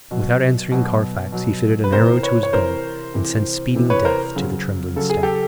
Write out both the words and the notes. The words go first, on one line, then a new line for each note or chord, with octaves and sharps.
Without answering Carfax, he fitted an arrow to his bow, and sent speeding death to the trembling stag.
B2 F#3
B2 F#3
B2 F#3
B4
C3 E3 A#4 C5
B4 C#5
C#5
C3 E3 A#4 C5
C3 E3
C3 E3
B4 C#5
A#4 C5
C#3 F#3
C#3 F#3 A4
G#4
G4 A4